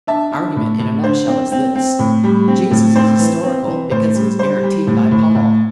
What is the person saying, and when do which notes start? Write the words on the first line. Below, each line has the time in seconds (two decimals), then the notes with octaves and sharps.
The argument in a nutshell is this: Jesus is historical because he is guaranteed by Paul.
0.07 D4 E5 A5
0.32 D4
0.56 A2
0.79 A2
1.04 D3 C5
1.28 C4
1.52 C4
1.75 C4
1.99 A2
2.24 G3
2.48 C4
2.71 A2
2.96 C4 C5
3.19 E3
3.43 C4
3.67 E3
3.91 A2 C5
4.15 G3
4.39 G3 C5
4.63 G3
4.87 A2
5.11 A2
5.35 A2